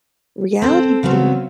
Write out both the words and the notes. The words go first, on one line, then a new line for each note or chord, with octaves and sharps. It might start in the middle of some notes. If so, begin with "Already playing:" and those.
Reality TV.
C4 A4 C5
C#3 F#3 B3 C4